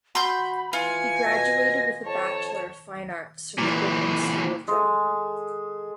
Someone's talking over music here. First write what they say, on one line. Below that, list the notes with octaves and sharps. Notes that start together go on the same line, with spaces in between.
He graduated with a Bachelor of Fine Arts from the Goodman School of Drama.
F#4 B5 C6 G6
E3 F4 G#5 C#7
B2 A#6
F2 C#5 A5
A#2 E3
G#3 G#4 A4